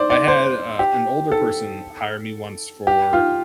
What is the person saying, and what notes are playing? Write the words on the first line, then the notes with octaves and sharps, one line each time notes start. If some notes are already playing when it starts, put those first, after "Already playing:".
I had, uh, an older person hire me once for
Already playing: C5 D5
D5
C5
G4
A4
G4
F4